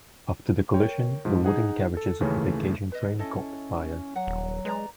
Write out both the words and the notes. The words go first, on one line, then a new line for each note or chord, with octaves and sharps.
After the collision, the wooden carriages of the vacation train caught fire.
A#4 C#5 G5
G#2 F3
D#4 G#4 F#5
A4
D#2 C#3 E3 A3 C#4
B4 D#5
C#4 E4 A4 D#5
F#3 F#5
D#1
G#3 B4 D5 A#5